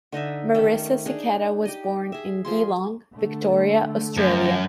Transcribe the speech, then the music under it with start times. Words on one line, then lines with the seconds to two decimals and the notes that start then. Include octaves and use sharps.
Marisa Siketa was born in Geelong, Victoria, Australia.
0.12 D3 D#4 D#5 E5
0.55 D#3 A3 C#4 G4
1.06 D4 D#4 G#4
1.65 G4 D#5
2.12 G#4 E5
2.45 F3 G#4 C6
3.16 D3 A3
4.17 F#2